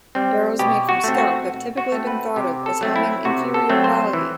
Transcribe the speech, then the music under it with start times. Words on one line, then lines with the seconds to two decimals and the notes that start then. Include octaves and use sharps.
Barrels made from skelp have typically been thought of as having inferior quality.
0.15 G3 C4
0.59 B2 G4
0.89 F#4
1.04 A3 C4
1.18 F#4
1.48 B2
1.77 F#4
1.92 A3 C4
2.07 B4
2.36 C3 G4
2.66 A4
2.81 F#3 A3 C4
2.96 E4
3.25 C3 F#4
3.54 A4
3.69 F#3 A3 C4
3.84 C5
4.13 E3